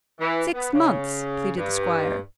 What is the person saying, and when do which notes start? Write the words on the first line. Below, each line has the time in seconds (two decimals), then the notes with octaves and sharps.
"Six months," pleaded the squire.
0.20 E3
0.54 B3
0.74 C#3
1.57 G2